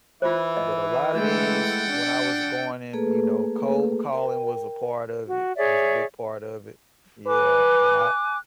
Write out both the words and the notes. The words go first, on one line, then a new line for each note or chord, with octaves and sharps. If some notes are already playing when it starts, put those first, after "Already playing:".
but, a lotta these when I was going in, you know, cold calling was a part of it, was a big part of it, yeah, and I,
E3 F4 C5
D#5
G#3 A3 A4 F#5 G5
D4
A3 A#3 G#4 A4 B4
A#4 G5
F#4
G#4 C#5 D5 E5
B4 G#5 D6 F#6